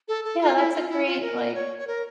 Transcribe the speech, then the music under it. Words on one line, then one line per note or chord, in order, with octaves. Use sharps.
yeah, that's a great, like
A4
A4
F4
E4
F4
E4
F4
A#4
C#5
C#5
A#4